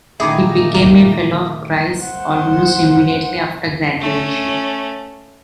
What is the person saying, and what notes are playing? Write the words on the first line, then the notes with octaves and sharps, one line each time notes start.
He became a Fellow of Christ's almost immediately after graduation.
A#2 D#3 A3 D#4 E4 G#4 E5 D6
A#3
C5 F#5
A3 C#4